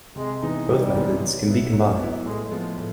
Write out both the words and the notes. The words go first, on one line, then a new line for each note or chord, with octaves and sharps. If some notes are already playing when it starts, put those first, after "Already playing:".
Both methods can be combined.
C3 G#3
E3 G#3 B3 D#4
C3 G3
E3 G#3 B3 D#4
F#3
B3 E4
F#3
B3 E4
A2 G#3
F3 G#3 B3
A2